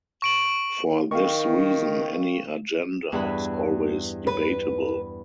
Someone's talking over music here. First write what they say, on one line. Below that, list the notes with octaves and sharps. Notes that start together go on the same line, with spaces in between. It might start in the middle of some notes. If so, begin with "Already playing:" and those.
For this reason, any agenda is always debatable.
C#6 D7 F#7
D#3 F5 G5 C#6
E2 G2 B5
B4